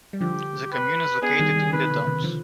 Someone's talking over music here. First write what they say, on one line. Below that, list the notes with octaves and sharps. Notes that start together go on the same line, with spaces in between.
The commune is located in the Dombes.
G3
D3 F3 G4
B4
B3 D4 G#4
D#3 G3
D#3 G3
C3 D#3 B4
D#3
B2 D3
C3 D#3
D3 F3